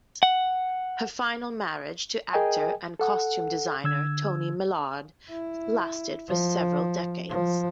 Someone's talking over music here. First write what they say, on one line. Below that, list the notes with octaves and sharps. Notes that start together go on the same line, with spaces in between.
Her final marriage, to actor and costume designer Tony Millard, lasted for several decades.
F#5
G#4 A#4 D#5 G5 G#5
A4 F#5
D3 E6 G#6
E4
F3
F3